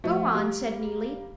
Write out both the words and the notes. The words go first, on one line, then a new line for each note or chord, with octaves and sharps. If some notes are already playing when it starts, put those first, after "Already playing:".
"Go on," said Neelie.
F3 A3
G3 A#3